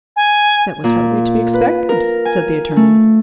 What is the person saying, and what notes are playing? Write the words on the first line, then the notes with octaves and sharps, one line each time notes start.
"That was hardly to be expected," said the attorney.
G#5
A#2
B4
A#4
G#5
A3